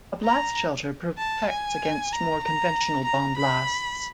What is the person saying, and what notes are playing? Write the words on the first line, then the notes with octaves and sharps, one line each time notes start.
A blast shelter protects against more conventional bomb blasts.
A#5
A5
G#5
A#5
A#5
A#5
B5